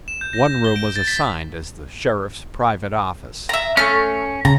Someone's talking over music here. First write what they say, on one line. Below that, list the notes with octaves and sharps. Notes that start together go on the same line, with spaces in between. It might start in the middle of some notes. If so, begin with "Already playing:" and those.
One room was assigned as the Sheriff's private office.
E7
G6
A#6
G6
G7
D7
A6
B6
E5 A#5
A3 C#4 F6
C#3 A#5